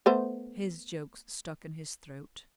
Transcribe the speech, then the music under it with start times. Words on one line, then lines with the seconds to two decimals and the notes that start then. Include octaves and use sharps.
His jokes stuck in his throat.
0.06 A3 B3 C5